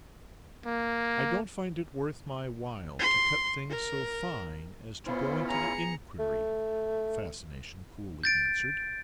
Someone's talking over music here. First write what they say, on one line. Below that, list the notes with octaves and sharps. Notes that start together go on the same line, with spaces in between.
'I don't find it worth my while to cut things so fine as to go into the inquiry,' Fascination coolly answered.
A#3
C6
A#4
B3 C#4 E4 F4 C5
G#4 A#5 C#7
A3
G6 A6 D7